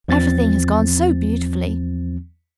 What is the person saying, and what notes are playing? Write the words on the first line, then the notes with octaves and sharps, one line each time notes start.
Everything has gone so beautifully.
E2 F3 C4 A6